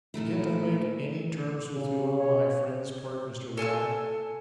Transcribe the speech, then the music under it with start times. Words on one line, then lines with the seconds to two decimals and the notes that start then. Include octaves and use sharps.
Can't I make ANY terms with you on my friend's part, Mr Riah?'
0.14 A#2 D#3 A3 E4
1.74 C#3
2.18 C#5
3.57 A4 G#5 A5 E6